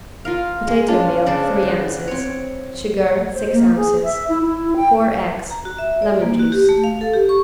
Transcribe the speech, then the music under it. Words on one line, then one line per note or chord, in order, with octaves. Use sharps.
Potato meal, three ounces. Sugar, six ounces. Four eggs. Lemon juice.
F4 A#4 F5
G#3
C#4 D4 F4
C#3 D4 C5 D5
F#4
C4 C#5
C5
A#3
G#4
E5
E4
E4
G5
A#5
F#4
E5
D5
A#3
F#4
G4
A3
F5
A4
G4
C#6